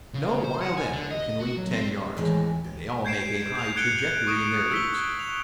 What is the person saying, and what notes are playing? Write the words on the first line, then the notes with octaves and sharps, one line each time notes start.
No wild animal can leap ten yards, and they all make a high trajectory in their leaps.
C#3
C5
F#5
G#5
D3
D#5
F#4
F#3
C4
D#2 A2 E3 G#3 C4
G4
G6 G#6 C7 D7 E7
G6 F7
F#6 G#6 C#7 D7 G7
C#6 D#6 D7 E7
E6 B6 G7
F7